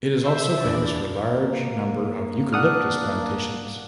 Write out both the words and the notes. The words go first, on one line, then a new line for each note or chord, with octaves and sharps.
It is also famous for large number of "Eucalyptus" plantations.
C5 E5
E2 D4 D5
A#3
D4 F#5 D#6 F6 F#6